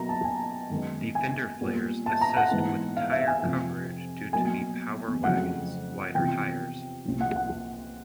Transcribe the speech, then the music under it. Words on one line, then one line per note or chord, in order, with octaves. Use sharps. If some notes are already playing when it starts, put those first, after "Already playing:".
The fender flares assist with tire coverage due to the Power Wagon's wider tires.
Already playing: B2 F#3 A#3 A#5
A5
G#5
F#2 D#3 G#3 B3
G#5
A#2 G3 B3
A5
A#5
F#5
G#2 E3 G#3 B3
F5
E5
G#5
F2 C3 F3
B2 F#3 A#3 G#5
F2 C#3 F#3 A3 F#5
E2 C3 F3 G5
C2 A#2 F3
F#5
F#5